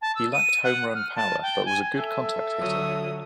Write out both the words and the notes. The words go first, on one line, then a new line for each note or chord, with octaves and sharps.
He lacked home run power but was a good contact hitter.
A5
E6
D#7
F#5
F6
A5
G5
G#5
A4 E5
D3 F#3 D#6